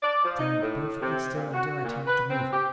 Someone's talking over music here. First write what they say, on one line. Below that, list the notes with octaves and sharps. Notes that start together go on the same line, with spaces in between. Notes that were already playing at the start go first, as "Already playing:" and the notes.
"Stand perfectly still until I tell you to move."
D5
F3
D#4
A2
C3
A#2
F#4
A#2
B4
C4
G4